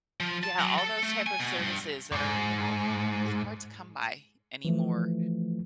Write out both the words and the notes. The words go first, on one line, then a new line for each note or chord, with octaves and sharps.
Yeah, all those type of services that are, you know, r really hard to come by anymore.
F3
A5
F#3
A4
A3
G#5
B2
G2
D#2 G#2
E3 F3 A3